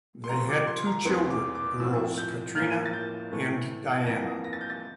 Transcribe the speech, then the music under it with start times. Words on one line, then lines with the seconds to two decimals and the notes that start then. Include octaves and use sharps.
They had two children, girls Katrina and Diana.
0.24 C6
0.29 C3 F3 A3 C4 A#5
0.49 D6
0.67 C6
0.86 A#5
1.05 E2 E3 A3 C4 C6
1.30 D6
1.55 D6
1.80 A2 F3 C4 E6
2.18 G6
2.55 A2 F3 A#3 F6
2.86 A6
2.93 G6
3.32 A2 E3 A3
4.06 F2 E3 A#3 A#6
4.44 A#6
4.53 A6
4.61 G6
4.70 A6